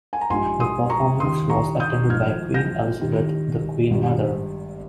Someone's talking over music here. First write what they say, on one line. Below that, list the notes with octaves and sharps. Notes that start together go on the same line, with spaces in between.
The performance was attended by Queen Elizabeth, the Queen Mother.
G#5
A#5
A#1 G#2 G3 G#5 C6
C6 D#6
A#5 C#6
D#2 D#3 G3 C6 D#6
A#5 C#6
D#6 G6
G#1 G#2 F3 F6 G#6
G6 A#6
D#2 D#3 G3
G#1 G2 G3